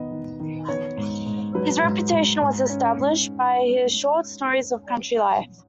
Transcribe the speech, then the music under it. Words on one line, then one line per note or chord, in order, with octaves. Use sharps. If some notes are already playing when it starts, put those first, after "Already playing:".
His reputation was established by his short stories of country life.
Already playing: D#3 B3 D#5
D#3
D#3
B3 C#5
G#2
G#2
F#3 B4
G#2
G#2
G#2
C#4
G#2